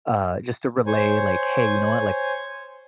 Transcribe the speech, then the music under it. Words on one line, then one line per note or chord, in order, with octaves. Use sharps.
uh, just to relay, like, "Hey, you know what, like,
C5 C#5 G#5